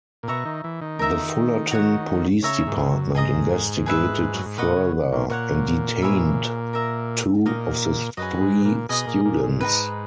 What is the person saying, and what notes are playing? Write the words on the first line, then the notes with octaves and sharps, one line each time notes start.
The Fullerton Police Department investigated further and detained two of the three students.
A#2
B2 A#4 E5 A#5 C#6
D#3
E3
D#3
A#4 E5 A#5
F#4 C#5 F#5
C#3 C#5 E5 A#5
G#2
F#2
G#2 G#4 D#5 A#5 D#6
G#4 B4 E5
F#2
G#2
A#2 B4 D#5 F#5 C#6
C#3
A#2
A#2 C#5 F#5 C#6
G#4 C#5 E5 B5
A#4 E5 A#5
A#2 D#4 A#4 D#5
F#2 G#4 B4 D#5
G#2
A#2
B2 G#4 D#5 G#5 D#6
A#2
A#2
G#2
D#4 F#4 B4